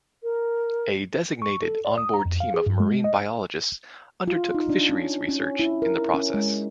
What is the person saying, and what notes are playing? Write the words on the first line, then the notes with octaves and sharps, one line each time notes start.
A designated onboard team of marine biologists undertook fisheries research in the process.
A#4
C#6
A4
D5
D#6
A#5
F2
F5
G#4
G2
G#3
D#5
F4
D#4
D4
C#4
C#4
E4
A#4
C#4
G#3